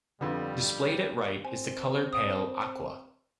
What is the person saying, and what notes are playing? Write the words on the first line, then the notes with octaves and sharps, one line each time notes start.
Displayed at right is the color pale aqua.
F2 D3 G3 B3
C4 G#5
D#6